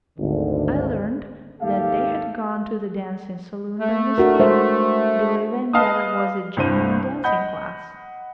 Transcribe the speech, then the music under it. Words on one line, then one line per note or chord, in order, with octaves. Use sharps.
I learnt that they had gone to the dancing saloon by mistake, believing that it was a genuine dancing class.
G#1 D2 D3
D#2 G#2 G4 A4 E5 F5
A3
D4 F#4 A#4
G#3 C5 E5
B4 D#5 F5 A5 D#6
C2 G2 C5 D#7
D#5 F#5 B5 G6